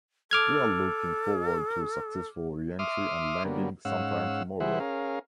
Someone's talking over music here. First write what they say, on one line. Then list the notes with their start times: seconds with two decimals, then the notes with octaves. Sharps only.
We are looking forward to a successful re-entry and landing sometime tomorrow.
0.31 A4 D6 F6 G#6
2.79 E5 C6 D6 D#6 F6
3.45 D3 F#3 G3 A#3 B3
3.85 G#2 C#4 F5 F#5 E6
4.60 E3 G3 G#4 C5 E5 F#5
4.80 C#4 G#4 A#4 F5